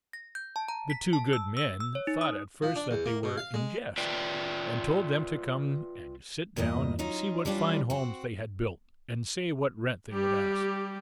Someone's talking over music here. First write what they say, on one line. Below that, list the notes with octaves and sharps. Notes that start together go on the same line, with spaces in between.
The two good men thought at first that they were in jest, and told them to come and sit down, and see what fine homes they had built, and say what rent they would ask.
A#6
G6
A5
A#5
B6
A5
E6
E6
E6
C#5
D#4
D#6
F3
D4
E2
A#3
B2
F5
G#3
F4 B4 D5 E5 G5
E2 G2 A#2 D#5
F#3 C#4 D#4 F4
E3 G3 C#4 D4 F4 G4
C4 F#4
G3 G4